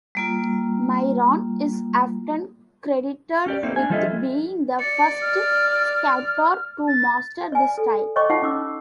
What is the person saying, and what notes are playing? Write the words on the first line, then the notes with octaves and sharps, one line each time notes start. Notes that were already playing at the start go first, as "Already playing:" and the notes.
Myron is often credited with being the first sculptor to master this style.
G3 A#3 F4
C#4 G4 D5
A3 A#3 C4 D#4
D4 G#5
F3 G3 F4 A4 D#5 E5
D5 C#7
F6
A6
D5 G#5
A4
C#5 D#5 G5 C#6 D6
D#4 F4 F#5
C#4 D6 E6